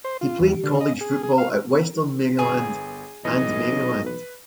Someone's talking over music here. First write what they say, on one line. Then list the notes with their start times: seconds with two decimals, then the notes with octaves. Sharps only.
He played college football at Western Maryland and Maryland.
0.04 C5
0.21 F4
0.40 E2
0.63 D3
0.80 D#5
1.01 G#4
1.23 G#4
1.38 F5
2.39 G1 B3 G#4
3.25 B1 F2 E3 D#5
4.06 B4